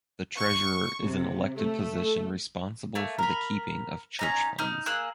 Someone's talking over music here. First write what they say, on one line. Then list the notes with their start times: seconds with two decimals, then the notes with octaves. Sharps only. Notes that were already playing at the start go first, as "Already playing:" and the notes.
The treasurer is an elected position responsible for the keeping of church funds.
0.39 C#6
1.05 C3
1.56 A3
2.95 A3 A#3
3.19 A#4 B5
4.19 C#4 D#4 A#5
4.59 D#4 D#6 F6 G6
4.86 A#3 G#4 E6 F#6